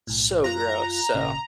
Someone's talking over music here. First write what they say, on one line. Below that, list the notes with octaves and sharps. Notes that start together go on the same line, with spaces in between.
So gross, so
B1 A2
F#2 F4 A#5 F#6
G#1 A#2 C#3